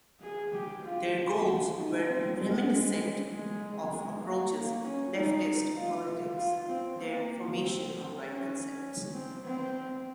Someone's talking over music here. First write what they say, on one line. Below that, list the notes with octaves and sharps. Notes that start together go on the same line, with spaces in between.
Their goals were reminiscent of approaches leftist politics, their formation on right concepts.
G#4
G4
F4
D#4
C4
C4
G#3
G#3
G#3
A#3
A#3
C#4
D#4
F4
F4
C4
A#3
C4
C#4
C4
C4